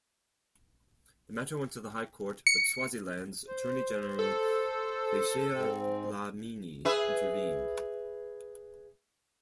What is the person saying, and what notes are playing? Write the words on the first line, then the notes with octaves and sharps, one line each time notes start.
The matter went to the High Court, but Swaziland's Attorney-General Phesheya Dlamini intervened.
C#7
C5
A4
G#2 C4
G#4 B4 E5